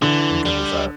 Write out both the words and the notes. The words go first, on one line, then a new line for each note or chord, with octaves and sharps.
I'm good with that.
D3 E3
G3